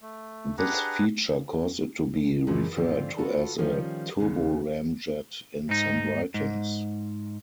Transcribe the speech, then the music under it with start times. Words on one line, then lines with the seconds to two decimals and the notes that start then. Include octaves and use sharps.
This feature caused it to be referred to as a turboramjet in some writings.
0.01 A3
0.58 D4 G4 G#4 B4 F#5 A#5
2.47 F#2 A#2 E3 F3 G#3
2.77 G#2 D3 F3 C4 F4
3.18 F4 F#4 A4 B4
3.58 D#3 F3 G3 C#4 F4
4.18 D#2 C#3 B3
5.69 G#2 D#4
6.34 G#2